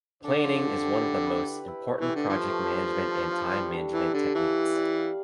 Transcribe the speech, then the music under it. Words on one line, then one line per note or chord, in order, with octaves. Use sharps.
Planning is one of the most important project management and time management techniques.
D3 D4
F3
G4
G4
E4
B4
B4
E4
A3
E3
G4
D3
D3 F3 A3
A3
D4
A4
A4
F5
G3
D4
E3 D4
D3 G3
E3 F5
F5
D5
F5